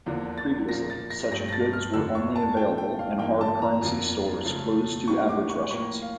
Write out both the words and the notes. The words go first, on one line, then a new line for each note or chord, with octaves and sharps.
Previously, such goods were only available in hard currency stores closed to average Russians.
E2 D3 F3 A#3
A6
A#2 F3 A#3 A#6
A6
A#6
G2 F3 A3 A#6
A#6
A6
F6
F2 D3 F3 E6
C#6
A5
A#2 A3 G5
G5
F5
G2 E3 A#3 G5
A5
A#5
F2 D3 F3 A#3
C#3 F3 A3
A2 G3 A#3 C#6
D6
C#6
A2 F3 A#3 C#6
F5